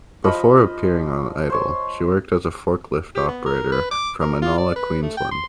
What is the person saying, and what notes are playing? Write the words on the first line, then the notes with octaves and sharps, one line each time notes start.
Before appearing on "Idol", she worked as a forklift operator from Inala, Queensland.
F3 D#5 B5
C5 C#5 C6
G4
B3
A#4
B4
D6
A#4
F4
D5
B4
A3
G5
C6